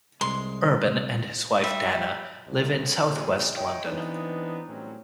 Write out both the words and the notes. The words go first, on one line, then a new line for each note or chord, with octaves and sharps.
Urban and his wife Dana live in south-west London.
C2 G#3 C6
G3 E5
C2
A#1 E2 G3 G#4 C#5
C#5 D#5 E5 G5
E3 B3 C4 D4 D#4
A2 F#3 G3 C4 C#4